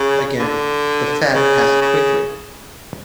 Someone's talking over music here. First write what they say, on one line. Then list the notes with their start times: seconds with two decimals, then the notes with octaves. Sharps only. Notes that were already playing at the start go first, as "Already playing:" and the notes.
Again, the fad passed quickly.
Already playing: C#3
0.40 D3
1.35 C#3
1.82 C#3